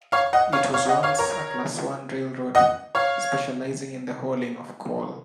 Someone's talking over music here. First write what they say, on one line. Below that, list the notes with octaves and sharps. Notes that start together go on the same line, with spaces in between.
It was once a Class One railroad, specializing in the hauling of coal.
C#5 F5
D#5 F#5
C#5 F5
C#5 F5
D#5 F#5
C#5 F5
A#4 C#5
D#5 F#5
C#5 F5